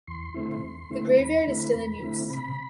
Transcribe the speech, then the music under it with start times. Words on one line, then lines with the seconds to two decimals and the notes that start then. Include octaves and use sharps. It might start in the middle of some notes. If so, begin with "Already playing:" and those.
The graveyard is still in use.
0.07 E2 C6
0.34 D3 A3 C4 E4
0.63 E2
0.90 D3 A3 C4 E4
1.18 E2 B5
1.47 D3 A3 C4 E4
1.75 E2
2.01 D3 A3 C4 E4
2.29 C3 B5